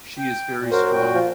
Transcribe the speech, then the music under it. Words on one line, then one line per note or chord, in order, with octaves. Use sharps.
She is very strong.
G5
A#2
F#2 F#4 A#4 C5
A#2 F#4 G5
F3